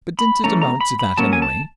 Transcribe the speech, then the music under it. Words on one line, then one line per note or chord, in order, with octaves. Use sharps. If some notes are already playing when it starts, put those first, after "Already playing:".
"But didn't it amount to that anyway?"
B5
E3 A3 C#4 A#5
A#5
B5
B5
F#3 A#3 C#4 A5
G#5
A5